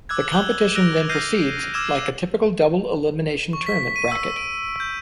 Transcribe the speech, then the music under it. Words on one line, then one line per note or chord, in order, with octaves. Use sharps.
The competition then proceeds like a typical double elimination tournament bracket.
D6 E6 F#6 G#6
F#6 G6 F#7 G7
E6 F#6 A#6 D7 F7
F6 G6 A#6 C7 D#7
D6 E6 F6 G#6 E7
C#6
B6
B6
D#7
E6
D7
G6